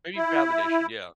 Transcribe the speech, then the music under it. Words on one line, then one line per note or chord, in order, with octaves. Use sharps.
Maybe validation, yeah.
E4